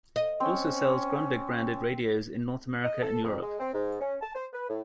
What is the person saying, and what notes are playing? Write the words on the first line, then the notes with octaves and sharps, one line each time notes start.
It also sells Grundig-branded radios in North America and Europe.
D#5
C4 C#4
D#5
A4
F2
G#3
C4
G#2
C#4
A5
C5
B4
A2